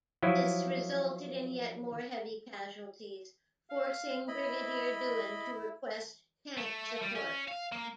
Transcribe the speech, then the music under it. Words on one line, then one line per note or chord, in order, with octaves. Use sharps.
This resulted in yet more heavy casualties, forcing Brigadier Dewan to request tank support.
F3 F#3 E4
F5
E4 D#5 B5
A3
G3
C#4
F5
A#3